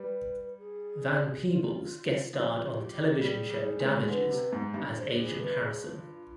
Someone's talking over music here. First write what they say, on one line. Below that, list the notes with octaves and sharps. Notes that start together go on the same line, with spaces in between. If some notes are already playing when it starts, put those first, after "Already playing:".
Van Peebles guest-starred on the television show "Damages", as Agent Harrison.
Already playing: G3 B4
G#4
F4
F3 G4
G4
G3 G#4
G3
G#3
D3 B4
C3
G#2
G2
C5
G#4
B4
G#4
F4